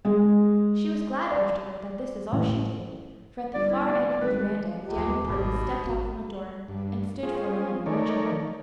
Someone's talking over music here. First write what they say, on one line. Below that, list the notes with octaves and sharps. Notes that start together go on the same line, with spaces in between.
She was glad, afterward, that this was all she did, for at the far end of the veranda Daniel Burton stepped out from a door, and stood for a moment watching them.
G#3
D5
A1
G1 D5
E4
F1 D5
G#1 B4
C#2 G4
D#2 G3
G#1 B2
C#3
G#1 F#4
G2
C4 C#4 F4 G#4
D#3 A3 D#4 A#4 C#5 D5